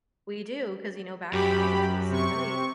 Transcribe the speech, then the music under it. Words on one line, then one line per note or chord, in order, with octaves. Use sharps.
we do 'cause, you know, back in the day, that was really
F#2 G4 B5
C3 C#6